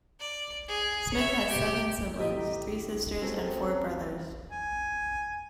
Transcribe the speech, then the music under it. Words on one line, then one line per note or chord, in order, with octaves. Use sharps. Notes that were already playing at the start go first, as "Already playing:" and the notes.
Smith has seven siblings; three sisters and four brothers.
D5
G#4
C#5 E5
G4
A2 D3 G4 D#5 E5 A#5
C4 C#4 G4 A4 A#4 C5
G#5